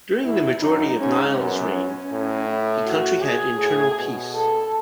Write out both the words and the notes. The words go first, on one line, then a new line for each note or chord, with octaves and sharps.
During the majority of Niels' reign, the country had internal peace.
E2 E4
F#2 D#4
G#2 C#4
F#2 B3
C#4
A2
E4
F#4
G#4
A2 G#4
B2
A4